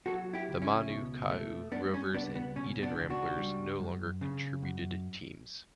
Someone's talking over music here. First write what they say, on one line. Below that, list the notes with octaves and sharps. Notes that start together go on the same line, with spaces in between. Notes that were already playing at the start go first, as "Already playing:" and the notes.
The Manukau Rovers and Eden Ramblers no longer contributed teams.
F#3 F#4 A4
E4 G4
C#2
C#4 E4
B2
A3
G3 B3 D4
C#4
C#2 B3 D4
B3
B2 C#4
B3 D4
C#2
D4 F#4
G3
F#2
C#3
F#2